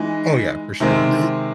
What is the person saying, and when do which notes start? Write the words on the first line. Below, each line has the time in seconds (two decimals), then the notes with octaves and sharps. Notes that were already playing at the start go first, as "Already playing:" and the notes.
Oh, yeah, for sure. The
Already playing: E3 G#3 D#4
0.80 C3 D#3 G#3 C4